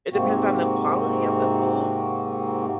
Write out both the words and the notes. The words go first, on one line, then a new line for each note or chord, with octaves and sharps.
It depends on the quality of the food.
G#2 C3 A#3 C4 F#4